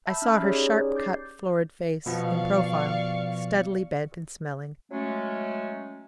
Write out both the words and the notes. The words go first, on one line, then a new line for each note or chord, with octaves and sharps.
I saw her sharp-cut, florid face in profile, steadily bent and smelling.
E5 A5 B5 E6 G6
C#4 D#4 B5 F6
C#4 D#4 G4 G#4 C#5 D5
D6 G6 A6 C7
B2 F3 B3 D5 F5 C#6
F#3 G#3 A3 C#4